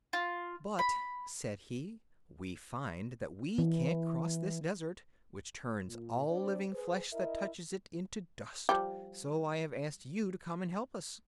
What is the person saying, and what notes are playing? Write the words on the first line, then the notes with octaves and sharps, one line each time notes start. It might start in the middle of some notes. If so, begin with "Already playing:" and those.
"But," said he, "we find that we can't cross this desert, which turns all living flesh that touches it into dust; so I have asked you to come and help us."
F4
B5
E3
A#2
C4 D4 C5 D5
G#4 B4 C5
E4 A#4 D#5 E5
F3 G3 G4